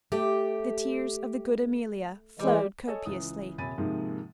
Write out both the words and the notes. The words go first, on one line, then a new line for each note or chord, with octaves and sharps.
The tears of the good Amelia flowed copiously.
A3 G4
E3 G3 G#3
A4 C#5 D#5 G#5
C#2 E3 D#6
D#1 C3 G#5 B5 A6 D#7
G#2 C3 D#3 F3 G#3 A#3